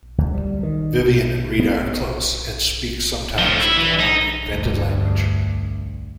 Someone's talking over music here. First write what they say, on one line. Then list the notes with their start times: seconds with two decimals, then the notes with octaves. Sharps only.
Vivian and Rita are close and speak sometimes in their own invented language.
0.18 D2
0.34 G3
0.63 D#3
1.01 B2
1.59 B3
3.38 A2 F3
3.60 E4
3.77 E3 E4
3.99 D#4
4.46 D2 G2